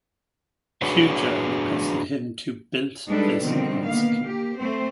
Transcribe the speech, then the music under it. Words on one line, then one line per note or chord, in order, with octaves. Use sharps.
Shuja requested him to built this mosque.
D4 F#4 G#4 B4 C#5
G3 G#3 D4 D#4 A4 B4
B2 D3 D#3 F3 G3 C4
A#3 B3 F5
A#3 G4
A3 C4 C5